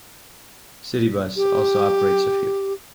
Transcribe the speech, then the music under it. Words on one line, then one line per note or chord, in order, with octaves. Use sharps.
Citybus also operates a few.
G4